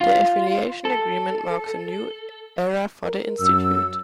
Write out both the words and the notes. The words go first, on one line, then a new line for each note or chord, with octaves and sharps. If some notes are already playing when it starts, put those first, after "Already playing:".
The Affiliation agreement marks a new era for the institute.
F4
A4
A#4
F#2 E6